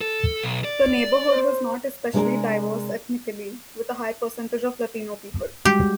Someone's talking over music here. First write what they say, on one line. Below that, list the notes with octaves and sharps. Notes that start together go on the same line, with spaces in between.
The neighborhood was "not especially diverse" ethnically, with a high percentage of Latino people.
A4
B1
D5
C5
C3 G#3 D4 G#4 A#4
G3 G#3 F#4 G4